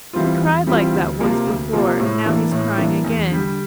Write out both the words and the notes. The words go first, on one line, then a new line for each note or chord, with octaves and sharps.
He cried like that once before, and now he's crying again!
E3 G3 C4 F4
E2
E3 G3 C4 F4
D2
C3 F3 A#3 F4
D2
C3 F3 A#3 F4
A2
E3 A#3 D4
A2
E3 A#3 D4
E2
D3 G3